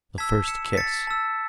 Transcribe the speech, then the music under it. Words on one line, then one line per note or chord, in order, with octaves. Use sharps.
The First Kiss.
A5 E6 G#6 B6
C#7 E7
B6
A6 C#7
A5 E6